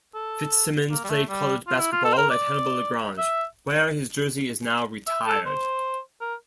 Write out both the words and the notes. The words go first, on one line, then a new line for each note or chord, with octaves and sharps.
Fitzsimmons played college basketball at Hannibal-LaGrange, where his jersey is now retired.
A4
A#3
G3
A3
G3
F4
E4
F4
A4
C5
A#4
D5
E5
E5
A4
C5
A#4